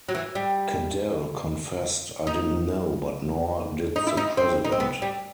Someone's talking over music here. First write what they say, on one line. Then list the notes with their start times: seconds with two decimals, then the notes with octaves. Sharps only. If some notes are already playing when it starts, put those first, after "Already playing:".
Cadell confessed 'I didn't know but nor did the president.
0.09 F#3
0.15 E3
0.35 G3
2.27 D#4
3.96 D#4
4.07 E4
4.17 D#4
4.37 C4
4.65 D#4
4.72 C4
4.80 B3
5.02 G3